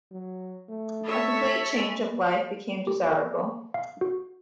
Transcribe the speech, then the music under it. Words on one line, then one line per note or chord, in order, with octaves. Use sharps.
A complete change of life became desirable.
F#3
A3
A4 C#5 E5 B6
G4
A#4
F5
F#4